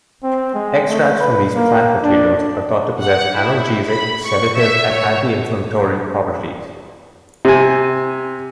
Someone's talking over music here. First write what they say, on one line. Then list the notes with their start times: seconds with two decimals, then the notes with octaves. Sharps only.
Extracts from these plant materials are thought to possess analgesic, sedative, and anti-inflammatory properties.
0.23 C4
0.54 G#3
0.88 A3
1.19 B4
1.55 A#3
2.03 D4
3.01 F#5
3.35 E4
3.87 B5
4.24 C#6
4.57 E5
4.90 C#5
7.45 C3 G#5